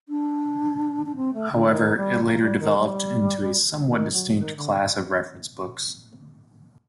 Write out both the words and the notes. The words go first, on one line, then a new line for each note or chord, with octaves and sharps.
However, it later developed into a somewhat distinct class of reference books.
D4
D4
C4
A3
D3
D#3
G3
A#3
G3
D#3
G3
D#3
F#3
D#3
D3